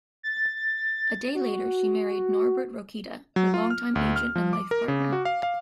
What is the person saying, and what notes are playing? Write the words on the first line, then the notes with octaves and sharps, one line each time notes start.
A day later she married Norbert Rokita, her longtime agent and life partner.
A6
F#4
F#3
F4
F6
D2
F6
F3
D6
A#4
C#3
F#4
F5
F5